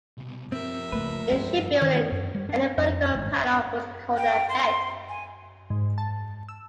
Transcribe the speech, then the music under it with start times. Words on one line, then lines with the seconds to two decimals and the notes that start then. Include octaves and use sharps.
In shipbuilding, any vertical panel was called a "head".
0.17 C2 B2
0.52 F3 C4 G4 A#4 E5
0.92 C#2 A3 A#3 B4
1.32 G2 G3 G#3
1.82 D#3
2.12 F#2
2.35 G3
2.49 D4
2.78 F2
3.15 G#1
4.17 G5
4.49 C6
5.09 G#5
5.70 G#2
5.98 A5
6.49 E6